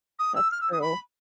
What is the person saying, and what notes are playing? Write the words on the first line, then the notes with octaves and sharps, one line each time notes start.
that's true.
D#6
E6
F6
E6
D#6
B5